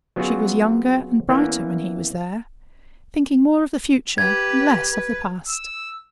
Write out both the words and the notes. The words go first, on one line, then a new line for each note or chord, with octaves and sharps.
She was younger and brighter when he was there, thinking more of the future and less of the past.
F#3 B3 C#4 F4 F#4 G#4
E3 A#3 B3 C#4
G4 B4 G#6
B4
E6